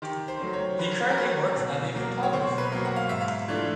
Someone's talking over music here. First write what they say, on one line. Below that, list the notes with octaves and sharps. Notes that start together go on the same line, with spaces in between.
He currently works as a photographer.
D#3 G4
C5
F#3 A3 C#4
C#5
D#3 B4
A#4
F#3 A3 C#4 B4
B2
F#3 A#3
C#5
B2 C5
B4
F#3 A#3
F#5
F5
G#2 E5
F5
E3 A3 D4 F4